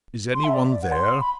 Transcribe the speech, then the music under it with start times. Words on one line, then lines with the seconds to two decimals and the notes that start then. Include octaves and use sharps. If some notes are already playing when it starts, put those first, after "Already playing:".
"Is any one there?"
0.34 C6
0.44 E5
0.54 D5
0.72 D5
0.82 F#5
0.92 C6
1.20 B5